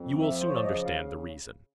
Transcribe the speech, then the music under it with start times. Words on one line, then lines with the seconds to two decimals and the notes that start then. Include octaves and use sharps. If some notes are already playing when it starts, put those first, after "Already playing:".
You will soon understand the reason.
Already playing: F2
0.21 F3 E5
0.40 C5
0.48 C#5
0.56 D5
0.63 C#3 D#5
0.85 F5